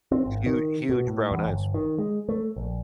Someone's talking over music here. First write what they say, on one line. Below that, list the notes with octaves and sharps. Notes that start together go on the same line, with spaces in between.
Hu huge brown eyes.
C4
G#1
D#3
B2
A2
E2
G1
D#3
G#3
A3
A#1